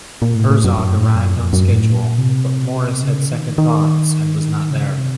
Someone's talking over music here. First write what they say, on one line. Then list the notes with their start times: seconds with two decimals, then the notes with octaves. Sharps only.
Herzog arrived on schedule, but Morris had second thoughts and was not there.
0.22 A#2
0.35 A2
0.50 A2
0.65 F#2
0.78 F#2
0.96 A2
1.15 F#2
1.34 F2
1.53 F#2
1.72 A2
1.90 A#2
2.18 C3
3.03 C#3
3.31 D#3
3.58 D#3
4.71 C#3
4.98 C3